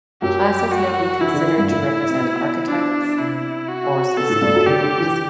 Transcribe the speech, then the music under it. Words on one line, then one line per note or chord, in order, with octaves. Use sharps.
Classes may be considered to represent archetypes, or specific careers.
F#2 F#3 G4
F#4
E3 E4
D3
E3
G2 G3
A2 A3 E4
C4
B2 B3
D4
C3 C4 E4
F#4
B2 B3 A4
A2 A3
G2 G3
F#2 F#3
D3 G4
D3
E3